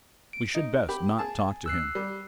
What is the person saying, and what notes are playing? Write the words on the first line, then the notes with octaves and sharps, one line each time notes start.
"We should best not talk to him."
D7
D#4
G4 B5
G#4 A5
E6 F#6 C7
G3